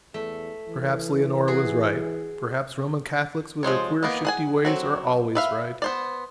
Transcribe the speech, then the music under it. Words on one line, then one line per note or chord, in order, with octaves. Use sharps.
Perhaps Leonora was right; perhaps Roman Catholics, with their queer, shifty ways, are always right.
E2 A3
E3
F#4 G#4
F3 G#3 C5 C#5
A#3 B3 D#5
G#4 F#5 G#5
F#3 C4 F#4
B4 E5 F5
B3 C5 D5